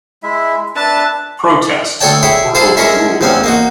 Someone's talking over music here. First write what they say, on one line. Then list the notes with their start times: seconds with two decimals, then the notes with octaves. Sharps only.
Protests were overruled.
0.23 G#3 E4 E5
0.76 D4 B4 E5 A5
2.00 D2 A4 C#5 D5 G5 A5
2.23 E4 G#4 C#5 G5
2.55 G#4 A4 C5 F5 G#5
2.77 G#3 C#4 G#4 A#4 C#5 E5
3.21 A1 E2 C4 C#4 G#5
3.44 A#3 D#4 F#4